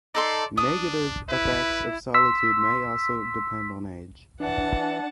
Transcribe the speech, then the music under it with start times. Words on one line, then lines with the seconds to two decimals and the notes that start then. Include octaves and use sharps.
Negative effects of solitude may also depend on age.
0.15 D#4 A4 D5 C6
0.57 D4 D#6
1.29 E4 B4
2.14 C6 E6 B6
4.40 E3 D4 F#5 A5